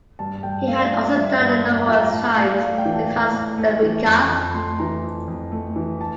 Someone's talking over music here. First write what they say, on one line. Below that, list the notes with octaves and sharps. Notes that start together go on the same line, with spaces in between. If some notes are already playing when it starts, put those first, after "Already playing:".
He had also dined numerous times with Hans Ledwinka.
G2 A5
G2 G5
A3 F5
D5
F3 D5
D5
G2 E5
G2
A3 F5
E5
F5
F3 G5
A#5
A2 A5
F5
A2 D5
F5
A3
G5
E3
A5
A2
A2
A3
E3
F2
F2
A3 C6
E3 A#5
F2
F2
A3
E3
A5